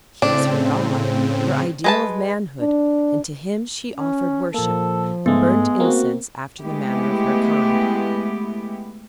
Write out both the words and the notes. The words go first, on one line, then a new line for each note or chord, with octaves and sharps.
He was her god, her ideal of manhood, and to him she offered worship, and burnt incense after the manner of her kind.
A2 C#3 C4 D4
G#3 B4 A5
D4
C#4
A#2 F3 A#3 A4
G#2 G#3 A3 B3
A#3 C4 F#4
G#3 A3 B3 E4 G4